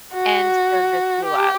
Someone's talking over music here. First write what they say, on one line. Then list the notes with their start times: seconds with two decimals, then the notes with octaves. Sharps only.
And so this blew up.
0.14 F#4
1.25 G4